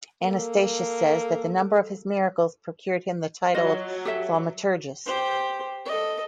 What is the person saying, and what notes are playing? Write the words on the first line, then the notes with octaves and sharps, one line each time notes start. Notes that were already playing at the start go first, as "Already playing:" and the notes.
Anastatius says, that the number of his miracles procured him the title of Thaumaturgus.
A#3 A4
F#3 F4 F#4 D#5
G4 A4 E5
G4 C5
A4 D#5